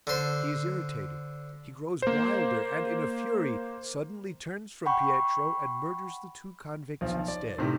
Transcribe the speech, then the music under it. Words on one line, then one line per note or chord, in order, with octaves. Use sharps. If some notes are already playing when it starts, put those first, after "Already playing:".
He is irritated, he grows wilder and, in a fury, suddenly turns from Pietro and murders the two convicts instead.
D3 C5
A#3 C5
F#5 G5 B5 C#6
B1 F3
D5
A2 C3 D#3